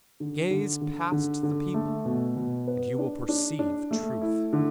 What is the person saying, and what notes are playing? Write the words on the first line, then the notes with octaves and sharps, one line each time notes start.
Gaze past the people, and you will perceive truth.
D3
D3
D3
D3
D3
A3
B2
B2
B3
D4
D4
D4
A3
E4
D3